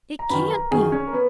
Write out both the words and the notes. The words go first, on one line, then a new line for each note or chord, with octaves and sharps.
It CAN'T be.
A#5
F#2 D#3 B4 B5
A#4 A#5
F#2 D#3 G#4 G#5
C#4 C#5
A#4
B3 B4